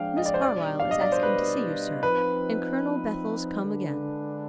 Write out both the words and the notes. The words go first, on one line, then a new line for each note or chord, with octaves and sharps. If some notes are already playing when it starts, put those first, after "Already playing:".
"Miss Carlyle is asking to see you, sir, and Colonel Bethel's come again."
Already playing: F3 G#3 D4 F5 G5
D#5
D5
C5
B2 G3 D4 D5
F5
D#5
D5
C5
B4
F3 C4 D#4 B4
D3 G#3 D4